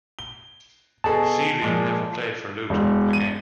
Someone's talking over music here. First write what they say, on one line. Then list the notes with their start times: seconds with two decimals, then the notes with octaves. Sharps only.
Sealey never played for Luton again.
0.19 G7
1.04 B2 G#4 A4 A5
1.62 A#2 F3 G#3
2.70 E1
3.13 D#7